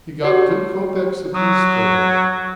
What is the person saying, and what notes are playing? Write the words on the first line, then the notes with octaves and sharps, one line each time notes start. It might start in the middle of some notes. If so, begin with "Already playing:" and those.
He got two kopeks apiece for them.
F#4 G4 C#5
F#3 D#6